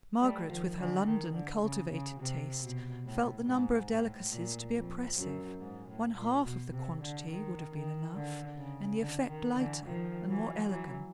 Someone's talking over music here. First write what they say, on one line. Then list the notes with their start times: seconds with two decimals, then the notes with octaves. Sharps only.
Margaret, with her London cultivated taste, felt the number of delicacies to be oppressive one half of the quantity would have been enough, and the effect lighter and more elegant.
0.20 G3 A3
0.49 D#3 F3
0.77 D3 E3
1.05 D#3
1.33 D3
1.62 C#3
1.91 C#3
2.19 C3
2.62 B2
3.05 A2
3.46 G#2
3.89 A2
4.32 A#2
4.74 F2
5.16 F#2
5.60 G#2
5.88 A2
6.16 A#2
6.44 B2
6.72 C3
7.00 D3
7.30 D#3
7.72 D#3
8.14 D3
8.57 C#3
9.00 D3
9.28 D#3
9.56 D3 E3
9.84 D#3 F3
10.27 E3 F#3
10.69 E3 F#3